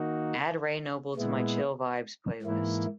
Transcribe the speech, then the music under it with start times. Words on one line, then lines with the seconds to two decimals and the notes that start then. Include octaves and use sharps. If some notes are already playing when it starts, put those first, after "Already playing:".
Add Ray Noble to my Chill Vibes playlist.
Already playing: D#3 A#3 D#4 F#4
1.15 A#2 G#3 B3 E4
2.42 G#2 E3 A#3 E4